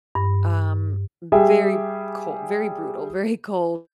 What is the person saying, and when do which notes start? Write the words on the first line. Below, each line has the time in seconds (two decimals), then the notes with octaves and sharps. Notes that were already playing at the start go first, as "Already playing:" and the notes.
um, very cold, very brutal, very cold
0.15 G2
1.32 G3 G4 G#4 E5